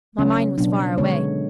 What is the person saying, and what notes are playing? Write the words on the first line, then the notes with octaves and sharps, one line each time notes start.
My mind was far away.
C#3 F#3 B3 C#4
B2 F#3 B3 D4
D3 G#3 B3 C#5